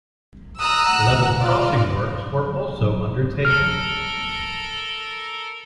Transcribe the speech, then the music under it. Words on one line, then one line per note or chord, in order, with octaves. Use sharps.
Level crossing works were also undertaken.
A#5 D#6 E6 F#6
F#5
F4 D5
A4 A#4 F6